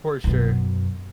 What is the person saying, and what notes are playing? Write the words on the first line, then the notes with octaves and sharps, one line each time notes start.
For sure.
F#2 B2